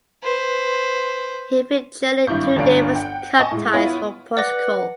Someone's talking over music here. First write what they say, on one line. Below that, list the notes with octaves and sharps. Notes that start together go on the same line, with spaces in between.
He featured in two Davis Cup ties for Portugal.
B4 C5
G#1 G2 E4 C#6 G6
G1 D2 C#4 D4 F5 D7
F#5 G5
D#5 G#5 A5 C#6
A2 G#3
B3 E4 F4 B4 C#5
B4 D5 F#5 D6 A#6